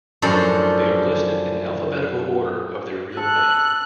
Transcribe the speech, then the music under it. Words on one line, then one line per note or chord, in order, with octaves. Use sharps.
They are listed in alphabetical order of their real name.
F#2 A2 F3 D4 F4 A4
A4 F#6